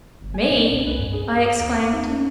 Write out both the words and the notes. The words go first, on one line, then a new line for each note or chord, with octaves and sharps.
"Me!" I exclaimed.
G1
G#5
A#2
C2
B4
G2
G#4
D#6
D#2
D6
D#4
C#4